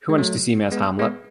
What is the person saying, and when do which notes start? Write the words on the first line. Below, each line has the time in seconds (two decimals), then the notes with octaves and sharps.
Who wants to see me as Hamlet?
0.09 G#3
0.18 F#3 A3
0.72 G#3 B3
0.99 G#3 B3